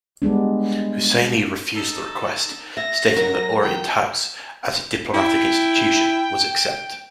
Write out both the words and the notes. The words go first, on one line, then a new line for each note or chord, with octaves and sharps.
Husseini refused the request, stating that Orient House, as a diplomatic institution, was exempt.
G3 G#3 B3 D4
D#4 A4
E5 A#6
F#3 A#4
G5
E4 G5